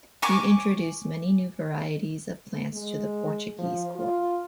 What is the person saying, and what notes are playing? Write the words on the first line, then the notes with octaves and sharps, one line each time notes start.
He introduced many new varieties of plants to the Portuguese Court.
G#5 C#6 D6
G#3
F3
F4